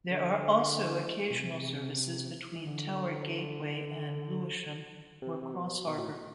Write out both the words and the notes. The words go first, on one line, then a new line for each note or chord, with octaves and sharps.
There are also occasional services between Tower Gateway and Lewisham or Crossharbour.
D3
B2
C3
E3
D3
C3
C3
B2
B2
A2